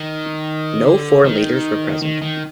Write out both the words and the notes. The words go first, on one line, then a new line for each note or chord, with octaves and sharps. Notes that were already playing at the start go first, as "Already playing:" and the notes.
No foreign leaders were present.
Already playing: D#3
D3
D#3
D#3
D#3